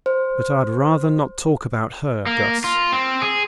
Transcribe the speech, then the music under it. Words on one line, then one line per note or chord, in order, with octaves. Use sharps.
But I'd rather not talk about her, Guss.
C5
A#3
F4
C4
G#4